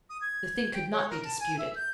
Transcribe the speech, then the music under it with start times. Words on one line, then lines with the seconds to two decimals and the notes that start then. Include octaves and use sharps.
The thing could not be disputed.
0.10 D#6
0.21 G#6
0.74 G5
0.92 C#5
1.10 A#4
1.24 A5
1.40 G#5
1.58 E5
1.75 G6